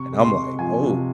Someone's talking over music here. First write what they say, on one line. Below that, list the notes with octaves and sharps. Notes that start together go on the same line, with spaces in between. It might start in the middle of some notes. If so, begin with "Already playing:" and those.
And I'm like, oh.
Already playing: C3 C#6
G#3
C6
C3
F3 G#5
C3